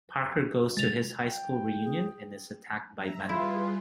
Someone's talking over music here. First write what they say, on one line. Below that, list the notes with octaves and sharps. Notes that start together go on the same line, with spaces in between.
Parker goes to his high school reunion and is attacked by Venom.
C3 G#3 A6 F7
G5
G#4
E5 A#5
G3 E4 F4 G#4 B4